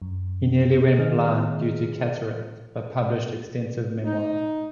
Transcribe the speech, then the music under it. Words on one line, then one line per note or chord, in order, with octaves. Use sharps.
He nearly went blind due to cataract but published extensive memoirs.
F#2
D#3 B3 G#4 D#5 F6
D#4